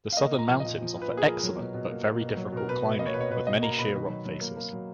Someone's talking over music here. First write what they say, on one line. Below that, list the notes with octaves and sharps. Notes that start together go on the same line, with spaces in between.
The southern mountains offer excellent, but very difficult climbing with many sheer rock faces.
F5
A#3 D#5
A#2
A#5
F3
D#5
A#2
F3
A#2
B4
A#3
G#4
A#4
F3
F#3
B2
B2
A#3
A#3
B2
F#3
B2 A#4
B2 B4
B2
A#3 D#5
C#5
B2 B4
C#5
B2 B4
B2 D#5
A#3 A#5
B2 B5
D#3
F#3
F#3
A#3
A#3
F#3